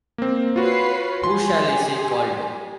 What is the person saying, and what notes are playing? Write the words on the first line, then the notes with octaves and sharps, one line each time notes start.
Who shall I say called?
A#3 C4
F4 F#4 B4 C#5 C7
G4 G#4 G#5 C6